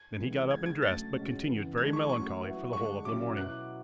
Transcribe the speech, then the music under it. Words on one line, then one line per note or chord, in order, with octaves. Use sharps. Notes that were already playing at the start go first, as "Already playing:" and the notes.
Then he got up and dressed but continued very melancholy for the whole of the morning.
Already playing: G#6
C#3 E3 G#3 B3
C#3 G#3 B3 G#6
G#6
C#3 F#3 A3 D4 A6
B2 G#3 C#4
C#3 E3 B3
E3 G#3 D4 G#6
C#6
F#3 A3 C#4 C#6
F#3 B3 E4
D3 G#3 D4 C#6
B2 F#3 C#4 E4 D6
B2 F#3 B3 E4 F#6